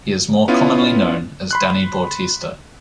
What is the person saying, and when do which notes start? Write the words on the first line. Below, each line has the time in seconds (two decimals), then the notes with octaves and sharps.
He is more commonly known as Danny Bautista.
0.48 B3 C#4 E4 F4
1.51 B5 C6 F#6